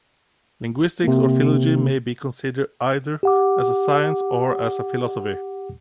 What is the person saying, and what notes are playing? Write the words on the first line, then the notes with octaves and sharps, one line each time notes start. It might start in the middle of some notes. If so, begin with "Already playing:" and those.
Linguistics or philology may be considered either as a science or as a philosophy.
C3 A#3
G4 F#5 D6